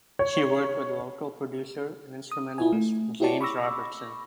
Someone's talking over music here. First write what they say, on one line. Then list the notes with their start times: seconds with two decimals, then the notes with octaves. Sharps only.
She worked with local producer and instrumentalist, James Robertson.
0.19 C#5
2.32 D#6
2.58 E4 F4 G#5
2.73 A3
3.20 E4 F#4 G4 C#5 D5 A5
3.41 B5 C#6 D6 E6 A#6